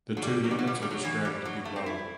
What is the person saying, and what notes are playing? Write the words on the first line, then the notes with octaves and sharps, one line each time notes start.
The two units are described below.
F#3
G3
F#3
G3
F#3
G3
F#3
G3
F#3
E3
G3
F#3
A3
C4
E4